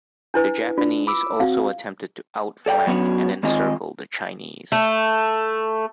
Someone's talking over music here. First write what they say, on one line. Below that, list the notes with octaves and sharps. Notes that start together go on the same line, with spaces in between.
The Japanese also attempted to out-flank and encircle the Chinese.
D4 E4 B4
D4 F4
B5 D6 E6
C4 F#4 F5
A4 D5 F#5 G5
F#3 B3 C#4 D4 F#4
D#3 G#3 C4 F4 D#5 G#5
A3